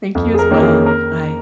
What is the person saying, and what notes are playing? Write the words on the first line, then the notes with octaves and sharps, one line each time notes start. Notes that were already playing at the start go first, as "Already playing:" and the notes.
Thank you as well, bye.
F2
G#4
A#4
D#3 A#3 C#4
A#4
G#4
A#4